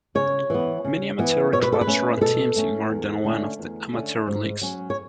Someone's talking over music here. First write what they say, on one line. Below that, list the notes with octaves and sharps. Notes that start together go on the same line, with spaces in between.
Many amateur clubs run teams in more than one of the amateur leagues.
C#3 C#5
E3 B3
C#3
E3 B3
B2 C#5
B4
A4
B4
A3 C#4
B4
B2 A4
A3 C#4
E2
D3 A3 C#4
E2
D3 A3 C#4
G#2
F#3 C#4
C#5